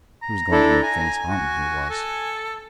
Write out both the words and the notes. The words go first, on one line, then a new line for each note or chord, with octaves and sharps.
He was going to make things hum, he was.
A#5
D4 E4 A4
G#5
F#4
A4